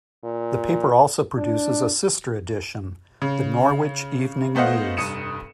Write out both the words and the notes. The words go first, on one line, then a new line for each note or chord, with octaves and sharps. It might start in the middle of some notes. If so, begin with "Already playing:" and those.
The paper also produces a sister edition, the "Norwich Evening News".
A#2
D4
C#3
A3 B3 C5 D#5 F5 F#5
F1 G2 D#6 C#7 D#7 E7